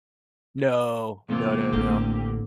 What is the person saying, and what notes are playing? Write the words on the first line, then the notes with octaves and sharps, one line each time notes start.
No. No, no, no.
E2 C3 A#3 C4 F4
A1 A2 D3 G4